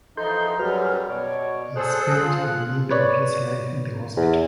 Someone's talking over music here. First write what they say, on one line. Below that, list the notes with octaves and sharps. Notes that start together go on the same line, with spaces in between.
He spent the remainder of his life in the hospital.
E3 F3 D#4 A4 D#5 C6 G6
F#2 F#3 G3 F#4 G#4 B4 F6
B2 C#5 D5
G#4 A4 C5 F#6
F4
B4 C#5 D5
E2